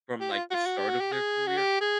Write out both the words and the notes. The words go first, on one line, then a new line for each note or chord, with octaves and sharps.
from, like, the start of their career
G4
F4
F#4
F4
F#4
G4
F#4
G4
G#4
F#4
G4
G#4